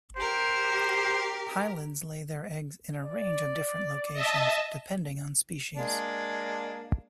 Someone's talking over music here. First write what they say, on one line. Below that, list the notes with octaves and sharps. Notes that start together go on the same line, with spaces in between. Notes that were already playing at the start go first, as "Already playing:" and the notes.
Hylids lay their eggs in a range of different locations, depending on species.
G4 A#4 C5
D5
D#5 E5 A5
G#3 A#3 D4